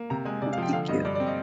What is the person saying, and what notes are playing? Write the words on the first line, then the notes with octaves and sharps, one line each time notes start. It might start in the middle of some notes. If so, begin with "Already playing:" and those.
Well, thank you.
Already playing: A#3
C3 A#5
G#3 G#5
C3 D5
F5
F3 G5
D3 F5
G2 D#5
G2 D5
D5
C4
D#5